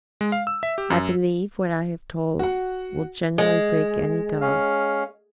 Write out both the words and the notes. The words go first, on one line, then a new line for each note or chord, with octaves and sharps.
I believe what I have told will generally break any dog.
G#3
F5
E6
E5
G4
F#2
F#4 F#5
G#3
C#4 F5